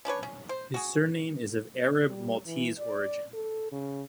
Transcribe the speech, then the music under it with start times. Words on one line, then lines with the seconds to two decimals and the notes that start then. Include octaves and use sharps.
His surname is of Arab Maltese origin.
0.05 C#4 D4 B4 C#5
0.23 C#4
0.49 C5
0.74 F#4 G#4
2.08 G3
2.45 E3
2.78 D5
3.34 A4
3.72 C#3